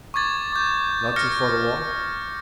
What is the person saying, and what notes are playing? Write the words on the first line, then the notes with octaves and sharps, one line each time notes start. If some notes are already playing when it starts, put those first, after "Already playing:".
"Not too far to walk?"
C#6 D6 G#6 A6
D6 G6
F6 A#6 C#7